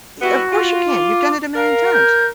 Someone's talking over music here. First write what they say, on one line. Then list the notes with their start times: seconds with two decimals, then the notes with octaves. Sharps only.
"E 'Of course, you can. You've done it a million times.
0.22 G3 B3 E4 F#4
0.53 F4
0.87 D6
1.56 A#4 F5
1.93 G6